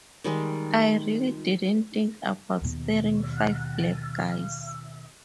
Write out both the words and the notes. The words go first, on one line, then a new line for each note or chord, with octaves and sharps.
I really didn't think about starting five black guys.
D#3 G3 G#3 D#4
D#2 B2